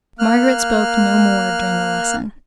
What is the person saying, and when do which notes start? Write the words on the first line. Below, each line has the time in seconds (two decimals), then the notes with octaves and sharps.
Margaret spoke no more during the lesson.
0.19 A#3 F6 F#6